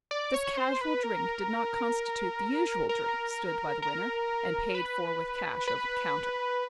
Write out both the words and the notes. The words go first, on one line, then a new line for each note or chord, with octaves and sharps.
This casual drink did not constitute the usual drink stood by the winner, and paid for with cash over the counter.
D5
C#5
C5
B4
A#4
A#4
A#4
B4
B4